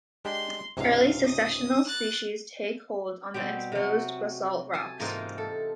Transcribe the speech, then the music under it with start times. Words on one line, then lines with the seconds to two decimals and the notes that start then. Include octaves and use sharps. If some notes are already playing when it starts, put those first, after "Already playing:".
Early successional species take hold on the exposed basalt rocks.
0.25 G#3 D4 G4 C6
0.77 C#2 G#2 C3 F5
1.26 D#6
1.87 F#6 A6
3.34 B2 G3 C4 G4
3.72 C3 F#3
4.74 G#5 A5
5.00 G#2 C3 E3 A#3 D#4 F4
5.38 A4